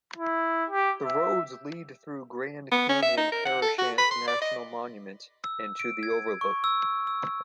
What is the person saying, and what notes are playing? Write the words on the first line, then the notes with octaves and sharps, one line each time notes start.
The roads lead through Grand Canyon-Parashant National Monument and to the overlook.
E4
G4
E5
B3
C#4
E5
D#4
A#4
F#5
A4
F#4
B5
C6
D5
D#5
E6
D7
G#6
C#6
E6
E6